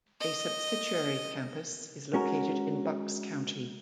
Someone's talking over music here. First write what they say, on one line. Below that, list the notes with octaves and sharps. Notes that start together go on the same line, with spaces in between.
A subsidiary campus is located in Bucks County.
D#5
G#3 C#4 F#4 A#4